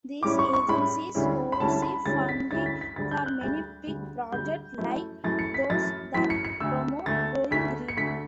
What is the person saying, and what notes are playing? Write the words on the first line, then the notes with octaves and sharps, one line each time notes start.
These agencies oversee funding for many big projects like those that promote going green.
A2 G3 C#4 E4 D6
C#6
C#6
A2 G3 C#4 E4 B5
D2 D3 G3 C#4 E4
B5
D2 D3 G3 C#4 E4 A5
B5
D2 D3 G3 C#4 E4 A6
B6
D2 D3 G3 C#4 E4 A6
B6
B6
D2 D3 G3 A6
G6
F#6
D2 D3 G3 A6
D2 D3 G3
D2 D3 G3 G6
F#2 E3 A3 E4
F#2 E3 A3 E4 A6
C#7
B6
F#2 E3 A3 E4 A6
F#2 E3 A3 E4 B6
C#7
C#7
D2 D3 A3 E6
D2 D3 A3 A6
D2 D3 A3 B6
C#7
D2 D3 A3 B6